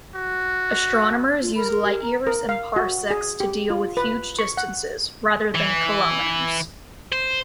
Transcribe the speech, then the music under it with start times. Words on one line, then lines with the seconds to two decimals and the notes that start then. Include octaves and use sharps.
Astronomers use light years and parsecs to deal with huge distances, rather than kilometres.
0.15 F#4
1.42 F4
1.55 A#4 B5
1.70 G#4
1.84 G4
2.03 A#5
2.27 A#4
2.49 F5
2.76 F#4
3.11 G#4
3.40 G4
3.70 F4
3.97 B4
4.39 C#6
4.57 F#5
5.55 E3
7.13 C5